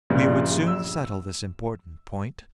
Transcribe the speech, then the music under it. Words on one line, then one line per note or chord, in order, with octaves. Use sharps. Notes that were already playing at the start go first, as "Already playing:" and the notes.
We would soon settle this important point.
A#1 G2 C#3 F3 D5
E6